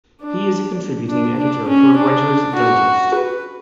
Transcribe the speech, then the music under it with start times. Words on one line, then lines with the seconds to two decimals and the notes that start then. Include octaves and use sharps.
He is a contributing editor for "Writer's Digest".
0.21 D4
1.09 D4
1.38 D4
1.68 C#4
1.96 D4
2.55 F#4
3.14 B4